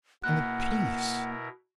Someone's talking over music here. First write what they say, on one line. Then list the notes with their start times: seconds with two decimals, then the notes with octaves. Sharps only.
And the peace!
0.24 B2 A#3 E4 A#4 F#5 F#6